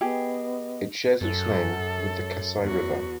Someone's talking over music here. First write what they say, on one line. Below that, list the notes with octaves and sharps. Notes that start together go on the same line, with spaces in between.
It shares its name with the Kasai River.
B3 G4 G#4 D#5
F#2 A4
E2 F#4